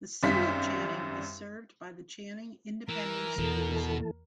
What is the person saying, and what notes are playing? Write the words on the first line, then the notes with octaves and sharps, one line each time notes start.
The City of Channing is served by the Channing Independent School District.
G#1 F#2 G3 B6
E3 A#4
E2 B2 E3 A4